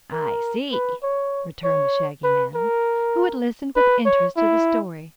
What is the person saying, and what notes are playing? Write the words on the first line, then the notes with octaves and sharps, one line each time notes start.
"I see," returned the Shaggy Man, who had listened with interest to the story.
A#4
B4
C#5
C#5
B4
A#4
B4
C#5
E4